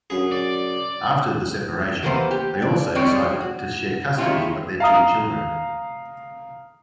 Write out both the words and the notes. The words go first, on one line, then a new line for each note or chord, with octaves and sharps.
After the separation, they also decided to share custody of their two children.
F#2 G#4
D5
E3 A#3 B3 G4 B4 C5
G4
D5
G3 G#3 C4 G4 C#5 D5
F#4
D#3 G#3 C#4 E4 F4 G4
F5 A#5 D#6